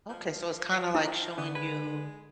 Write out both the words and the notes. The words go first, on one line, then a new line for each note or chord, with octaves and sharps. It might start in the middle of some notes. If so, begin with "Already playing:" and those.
Okay, so, it's kinda, like, showing you,
F3
E4
D3 B3
G#3 B4